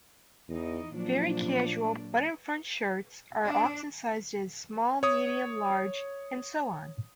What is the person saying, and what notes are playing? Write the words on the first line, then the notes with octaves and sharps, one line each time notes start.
Very casual button-front shirts are often sized as small, medium, large, and so on.
E2 E3 D#4 D#5
A#2 F3 F#3 D4
D4
C#5 D#6